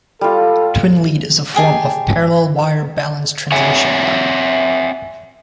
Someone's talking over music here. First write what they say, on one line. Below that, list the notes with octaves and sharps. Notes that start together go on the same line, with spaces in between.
Twin lead is a form of parallel-wire balanced transmission line.
G3 F4 A4
G4 G#4 G#5 A5
C4 C#5 E5 F#5 G#5